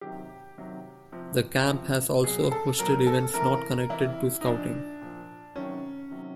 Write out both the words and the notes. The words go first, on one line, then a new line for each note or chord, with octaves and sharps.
The camp has also hosted events not connected to Scouting.
C3 D#3 F#3 G4
C3 D#3 F#3
C3 F3
C3 F3
B2 F#3 G#4
A4
B2 F#3 A#4
A4
C3 E3 A#4
C3 E3 E4
D#4
A#2 F3 D4
A#2 F3
C3 D#3 F#3 C#4
C3 D#3 F#3